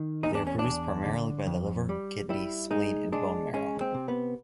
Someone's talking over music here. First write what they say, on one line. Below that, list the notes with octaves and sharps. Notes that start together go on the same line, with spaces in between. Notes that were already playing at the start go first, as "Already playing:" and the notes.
They are produced primarily by the liver, kidney, spleen, and bone marrow.
Already playing: D#3
E2 D#4
D4
C#4
D4
E2
D3
F2
G3
G3 E4
G#3 D#4
G#3 D4
G#3 C#4
C4
C3
B3